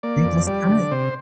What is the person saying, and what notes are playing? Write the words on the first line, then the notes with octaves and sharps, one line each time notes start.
be just kin
A#3 D5
F2
G3 D5
D3
C3 C5